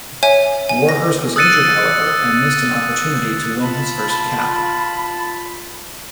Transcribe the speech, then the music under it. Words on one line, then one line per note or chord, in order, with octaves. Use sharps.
Warhurst was injured, however, and missed an opportunity to win his first cap.
C#5 E5 G#5
G#5
A#6
D#6 E6 F#6 A6 C#7 D#7
F4 A5 B5